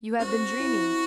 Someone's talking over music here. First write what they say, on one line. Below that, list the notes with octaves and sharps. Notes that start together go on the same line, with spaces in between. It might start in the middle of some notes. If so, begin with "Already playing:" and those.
You have been dreaming.
C4 F#4
E4